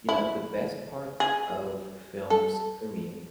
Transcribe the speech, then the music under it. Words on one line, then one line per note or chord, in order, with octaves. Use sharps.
you know, the best parts of films for me
E4
G#4
A4